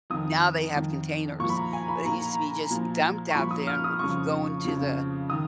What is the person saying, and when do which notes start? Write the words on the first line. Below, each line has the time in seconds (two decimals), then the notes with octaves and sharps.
now they have containers, but it used to be just dumped out there and would f go into the
0.10 F2 D#3 D#6
0.75 F2 D#3
1.39 A#2 F3 C#6
1.49 B5
1.57 A#5
1.73 G#5
1.88 B5
2.05 A#2 F3 A#5
2.71 A#2 F3
3.31 C#6
3.35 A#2 F3 B5
3.51 D#6
3.67 F6
3.84 D#6
3.99 F2 C#3 F3 C#6
4.65 F2 C#3 F3
5.30 D#3 D#6